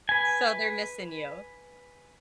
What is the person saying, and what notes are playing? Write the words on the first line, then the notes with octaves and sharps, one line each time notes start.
So, they're missing you.
B4 G#5